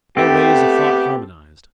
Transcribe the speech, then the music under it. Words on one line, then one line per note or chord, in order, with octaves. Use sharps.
Their ways of thought harmonized.
A3 B3 C4 G4 A4 G5